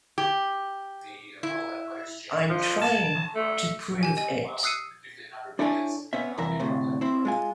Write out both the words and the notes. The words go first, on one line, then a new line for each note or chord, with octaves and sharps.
I'm trying to prove it.
G4
E4
F3
A5
A3
G4 G#5
D#5 G#5
D#6 E6 F#6 C7 C#7 D#7
D4 E4 A4 C#5 D5 G#5
B3 C#4 E5
C2 F2 E3 A#4 E5
D2 A2 C3
C4 E4
G#3 F4 G#5